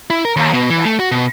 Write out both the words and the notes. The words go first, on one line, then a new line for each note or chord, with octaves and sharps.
Right, right.
E4
A#4
D#2
B2
E3
A3
F#4
B2